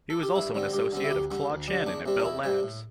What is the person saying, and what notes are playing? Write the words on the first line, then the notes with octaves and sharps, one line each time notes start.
He was also an associate of Claude Shannon at Bell Labs.
A4
G4
G2 E4
D3 G3 C4
G2 G4
D3 G3 C4
E4
D2 G4
D3 G3
D2
D3 G3
E2 D4
C3 G3 C4
D4
E2 E4
C3 G3 C4
A2